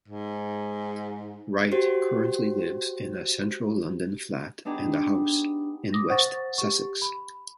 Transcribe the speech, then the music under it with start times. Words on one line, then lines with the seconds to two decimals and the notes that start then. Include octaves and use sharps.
Wright currently lives in a central London flat and a house in West Sussex.
0.08 G#2
1.72 F#4 G4 C5
4.65 B3 D4 D#4 G4 G#4
5.93 D6 D#6 A#6
6.09 C5 F#5 C#6 A6
6.58 G4 C#6
7.02 B5